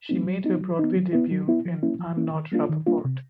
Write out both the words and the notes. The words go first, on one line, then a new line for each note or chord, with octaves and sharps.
She made her Broadway debut in "I'm Not Rappaport".
F#3 A3 C4 D#4
F#3
B3 D#4
F#3
B3 D#4
F#3
B3 E4
F#3
B3 E4
F3
A#3 C#4 E4
F3
A#3 C#4 E4
D#3
G3 A#3 D4 F4
D#3
G3 A#3 D4 F4
C3